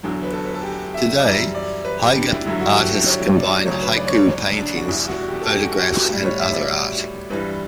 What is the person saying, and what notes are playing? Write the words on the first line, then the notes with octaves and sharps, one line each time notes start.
Today, haiga artists combine haiku with paintings, photographs and other art.
E2 D3 F#3
B4
A4
B4
A4
G4
E5
D5
F#2 E3 G3 E5
D5
B4
G4
D4
E4
G2 D3 F#3 E4
F#4
G4
A4
A4
C#5
D5
D2 C#3 F#3 C#5
B4
D5
C#5
D5
C#5
D4
F#4
E2 B2 G3 E4
F#4
G4
A4
G4
F#4
F#4
G4
A2 G3
C#5
E5
D5
G2 E3 G3 B4